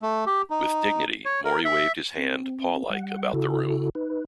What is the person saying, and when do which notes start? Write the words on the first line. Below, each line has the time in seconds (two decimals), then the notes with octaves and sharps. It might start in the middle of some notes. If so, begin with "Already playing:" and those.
With dignity Maury waved his hand paw-like about the room.
0.02 A3
0.27 G4
0.50 D#4
1.25 C#5
1.45 A#4
1.65 E5
2.18 C4
2.90 G3 F#5
3.33 C#3 E4 F#4 A4
3.95 D#4 B4